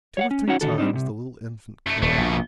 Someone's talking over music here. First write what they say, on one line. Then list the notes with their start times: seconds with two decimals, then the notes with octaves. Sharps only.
Two or three times the little infant cried.
0.17 C#5 F5 F#5
0.31 C#4
0.48 C#4 D#4 F#4 C#5 F#5
0.61 E2 D3 D#3 F#4 A4
0.78 G3 C4 D4 D#4
0.93 C2 C3
1.87 F#2 A3
2.02 D#1 B2 A3
2.18 A#1